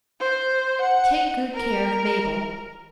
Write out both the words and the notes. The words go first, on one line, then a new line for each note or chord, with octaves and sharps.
Take good care of Mabel.
C5
F#5
A#4